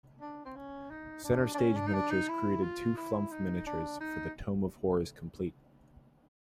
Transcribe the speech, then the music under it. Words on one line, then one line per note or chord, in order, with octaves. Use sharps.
Center Stage Miniatures created two flumph miniatures for the "Tome of Horrors Complete".
D4
C4
C#4
D#4
D4
D4
C#4
D4
D#4
D4
D#4
E4
F4
E4
D#4
D4
D#4